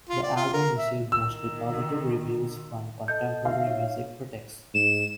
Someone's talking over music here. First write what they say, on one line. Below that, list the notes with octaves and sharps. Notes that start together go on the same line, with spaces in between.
The album received mostly positive reviews from contemporary music critics.
F4
D5
F4
A#4
E5
D#3 E6
A4 D#5 A5 G6
D#4 E5 F5
D#4 C#5
G#2 E7